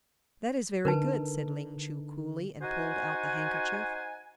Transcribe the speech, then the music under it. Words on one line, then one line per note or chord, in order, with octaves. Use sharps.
"That is very good," said Ling Chu coolly, and pulled out the handkerchief.
D3 D#4 A#4 B4 A5
D#4 F#4 C5 F#5 G#5